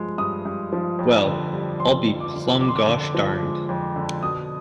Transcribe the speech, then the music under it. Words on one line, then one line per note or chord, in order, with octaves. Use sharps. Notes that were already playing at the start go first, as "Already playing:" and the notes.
Well, I'll be plumb gosh darned.
Already playing: G2 F3 G#3
G2 D#6
G2
F3
F2
D3
G3
F2 C6
F2
D6
D3
F2 D6
C6
D6
D3
F3
G#3
F2
D3
B2 D#6